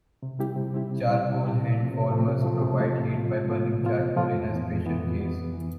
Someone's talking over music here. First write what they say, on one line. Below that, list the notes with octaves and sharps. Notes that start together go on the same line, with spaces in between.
Charcoal hand-warmers provide heat by burning charcoal in a special case.
C3
G3 C4 E4 G4
C3
G3 C4 E4 G4
C3
G3 C4 E4 G4
C3
G3 C4 E4 G4
C3
F3 A3 C4
C3
F3 A3 C4
C3
F3 A3 C4
C3
F3 A3 C4
C3
F3 B3 F4
C3
F3 B3 F4
C3
F3 B3 F4
C3
F3 B3 F4
F2
E3 B3
F2
E3 B3
F2
E3 B3
F2
E3 B3